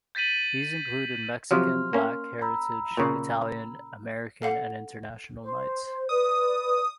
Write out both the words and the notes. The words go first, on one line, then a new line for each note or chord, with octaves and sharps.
These included Mexican, Black Heritage, Italian, American and International nights.
G6 A6 B6 D#7 F#7
C3 F3 F#3 C6 F6
A#3 C#4
A#5 B5 E6
A#2 C#3
A4 F5 F#5
C5
B4 D5 D#6